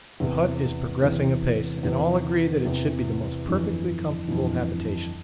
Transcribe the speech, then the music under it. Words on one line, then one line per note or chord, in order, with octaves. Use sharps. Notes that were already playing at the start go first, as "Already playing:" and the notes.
The hut is progressing apace, and all agree that it should be the most perfectly comfortable habitation.
E2 C3 E3
E2 C3 E3
E2 C3 E3
E2 C3 E3
G1 F2 E3
G1 F2 E3